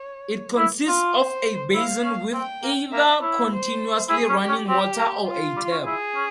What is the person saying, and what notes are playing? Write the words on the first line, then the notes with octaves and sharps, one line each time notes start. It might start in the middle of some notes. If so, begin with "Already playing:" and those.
It consists of a basin with either continuously running water or a tap.
Already playing: C#5
E4
F4
C5
E4 F5
C#4
C4 G5
A#3
A#3 E5
E4 C#5
C5
E4 G#4
C#4
G4
C#4
C4 G4
A#3
F4
G3
C#4
E4 G#4
C#4